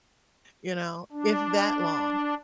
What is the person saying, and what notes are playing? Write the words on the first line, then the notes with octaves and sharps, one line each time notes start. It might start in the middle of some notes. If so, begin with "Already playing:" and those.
you know, if that long.
D4